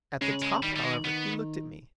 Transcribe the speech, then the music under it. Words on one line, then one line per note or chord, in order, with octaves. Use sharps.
At the top, however, he looked at me.
C#3 G#3
G#3
D#3 G3
G3
G#3
D#3 B3